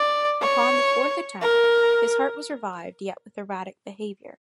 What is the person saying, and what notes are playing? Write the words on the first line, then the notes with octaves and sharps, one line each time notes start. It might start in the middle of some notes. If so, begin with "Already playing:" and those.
Upon the fourth attempt his heart was revived yet with erratic behavior.
Already playing: D5
C#5
A#4